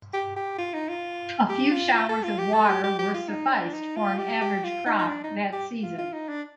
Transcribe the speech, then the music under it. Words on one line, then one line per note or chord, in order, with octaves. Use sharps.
A few showers of water were sufficed for an average crop that season.
G4
G4
F4
D#4
F4
G4
F4
F4
A4
F4
G4
A4
G4
G4
G4
F4
D#4
D4
D#4
F4
G4
G4
F4
D#4
D#4
D4
D#4
G4
F4
F4
D#4
D4